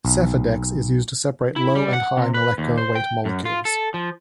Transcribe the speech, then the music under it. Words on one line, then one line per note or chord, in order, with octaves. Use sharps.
Sephadex is used to separate low and high molecular weight molecules.
B1
E4
G3
F#5
C3
B4
D#2
C5
G5
F#2
F4
A4
F3